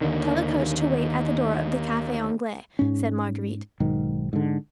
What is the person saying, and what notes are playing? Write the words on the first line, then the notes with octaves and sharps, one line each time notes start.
"Tell the coachman to wait at the door of the Cafe' Anglais," said Marguerite.
D#2 D3 D#3
G#2 C#4
B1 G#2 D#3
G#2 D3